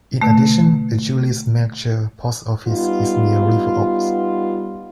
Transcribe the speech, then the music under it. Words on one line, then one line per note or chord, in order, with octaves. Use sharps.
In addition the Julius Melcher Post Office is near River Oaks.
B2 D3 A3
G3 B3 D#4 F4